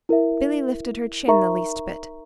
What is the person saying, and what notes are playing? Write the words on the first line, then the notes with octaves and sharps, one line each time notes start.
Billy lifted her chin the least bit.
E4 A#4 E5
D#4 A#4 E5 A#5 C#6